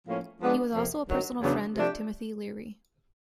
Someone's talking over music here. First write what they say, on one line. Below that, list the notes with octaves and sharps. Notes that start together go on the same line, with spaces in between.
He was also a personal friend of Timothy Leary.
A2 F3 A#3 C#4
F3 G#3 B3 D4
F2 C3 F3 A#3
G2 D#3 F#3
E2 C#3 F#3 B3 D4
C3 F3 A3 D4 G4